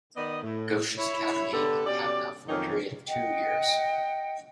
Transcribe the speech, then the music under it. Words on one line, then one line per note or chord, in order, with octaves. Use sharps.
Ghosh's Academy in Patna for a period of two years.
D#3 B3 D5 D#5
A2
E4 C#5
D3 B3 G4 A4
B2 C#4 G4 D5
F2 D#3 F#3 A#3 C#4 D#4
D#5 F#5 G5